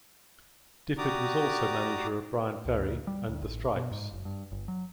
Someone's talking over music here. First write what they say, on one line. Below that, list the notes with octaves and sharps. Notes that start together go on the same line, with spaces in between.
Difford was also manager of Bryan Ferry and The Strypes.
F#4 G4 D5 A#5 D6 D#6
C#2
D2
G3
D2
A1
B2
G#2
F#1
G2
G1
F#3